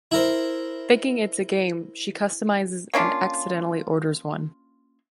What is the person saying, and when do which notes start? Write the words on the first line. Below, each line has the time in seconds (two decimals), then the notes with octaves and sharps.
Thinking it's a game, she customizes and accidentally orders one.
0.11 E4 A#4 C5
2.94 A#3 C#4 D4 F4